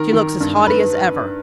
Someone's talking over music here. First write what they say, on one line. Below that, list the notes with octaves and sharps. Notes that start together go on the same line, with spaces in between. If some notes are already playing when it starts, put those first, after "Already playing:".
She looks as haughty as ever.
Already playing: D#3 A#4
D#3
G2
B4